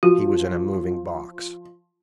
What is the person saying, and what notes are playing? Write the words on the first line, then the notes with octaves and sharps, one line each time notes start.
He was in a moving box.
F3 F#4